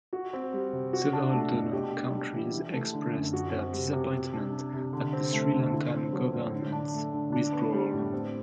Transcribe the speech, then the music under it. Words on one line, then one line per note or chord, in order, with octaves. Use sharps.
Several donor countries expressed their disappointment at the Sri Lankan government's withdrawal.
F#4
C4
G3
C3
F#4
D4
A3
B2
G4
D4
G3
E3
E4
A3
D3
F#2
F#4
C4
G3
C3
G4
D4
G3
C3
D3
C4
A3
D3
E4
C4
F#3
A2
D3
D4
A3
D3
D4
B3
G3
A2
C4